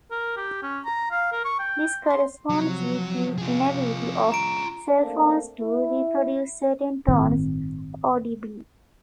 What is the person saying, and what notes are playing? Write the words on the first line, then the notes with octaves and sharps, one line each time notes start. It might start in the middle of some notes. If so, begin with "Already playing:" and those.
This corresponds with the inability of cellphones to reproduce certain tones audibly.
A#4
G4
C#4
A#5
F5
A#4
C#6
G5
C6
C3 F3 F#3
F4 G#4
A#5 D7
A3 A#3 C4 D4
E4
G1 A2 D#3 C4